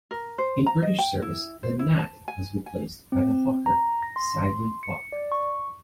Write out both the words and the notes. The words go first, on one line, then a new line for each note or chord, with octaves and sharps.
In British service, the Gnat was replaced by the Hawker Siddeley Hawk.
A#4
C5
A#5
D#5
G5
E4
C5
E4
A5
G#5
G#5
C4
A#5
A#6
C6
C#7
D5
C#6